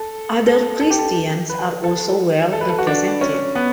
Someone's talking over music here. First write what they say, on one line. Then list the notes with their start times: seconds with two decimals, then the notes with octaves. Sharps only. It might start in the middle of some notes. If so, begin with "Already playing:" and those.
Other Christians are also well represented.
Already playing: A4
0.46 A4
0.81 A4
0.90 G4
0.99 A4
1.50 B4
1.84 A4
2.53 A4
2.61 B4
2.69 A4
2.79 F#4
2.87 D4
3.21 C#4
3.55 B3